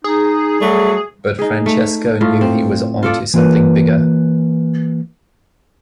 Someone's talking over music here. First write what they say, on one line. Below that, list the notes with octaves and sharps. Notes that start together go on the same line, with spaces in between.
But Francesco knew he was onto something bigger.
D#4 G#4
F#3 G3 A3
D#4 G#4
A3
A2 F4
C4
F4 A4 D5
E3 A#3 F4 A#4 B4